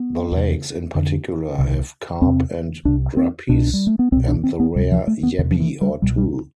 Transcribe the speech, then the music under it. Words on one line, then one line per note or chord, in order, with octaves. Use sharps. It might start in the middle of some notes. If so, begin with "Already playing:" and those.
The lakes in particular have carp and guppies, and the rare yabbie or two.
Already playing: B3
E2 C3
F2 D3
C2 C3
E2 C3 C4
C2 C3 D4
C4
C2 B2 D4
G3
A3
B3
C2 B2 C4
D4
C4
B3
D2 C3 G3
F3
A3
B3
E2 C3 D3
F3
E3
G3
C2 B2 G3
G3